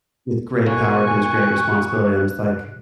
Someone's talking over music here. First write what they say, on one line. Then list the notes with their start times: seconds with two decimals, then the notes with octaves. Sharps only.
"With great power comes great responsibility." I'm just like,
0.66 B2 A#3 G#5 C#6 F#6